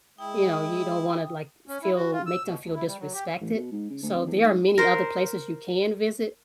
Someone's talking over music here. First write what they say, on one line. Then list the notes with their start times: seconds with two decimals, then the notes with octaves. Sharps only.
you know, you don't wanna, like, feel make them feel disrespected. So, there are many other places you can visit.
0.18 G#3 E4 G5 D#6
1.68 C#4
1.83 E4
1.96 F#4
2.12 F4
2.26 E6
2.44 B2
2.62 D2
2.74 E4
2.86 G3
2.99 F#3
3.14 G4
3.40 A1
3.53 B2
3.71 G#2
3.90 C#3
4.02 D2
4.14 F2
4.27 E2
4.43 G#2
4.78 A#4 C5